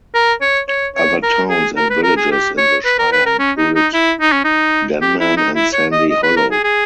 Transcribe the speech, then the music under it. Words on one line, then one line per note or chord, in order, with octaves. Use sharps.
Other towns and villages in the shire included Denman and Sandy Hollow.
A#4
C#5
C#5
C#5
A#4
G#4
A#4
B4
A#4
G#4
G4
C#5
B4
A#4
B4
A#4
C#4
D#4
D#4
E4
D#4
C#4
D#4
G4
E4
D#4
E4
C#5
D#5
D#5
B4
A#4
G#4
G#4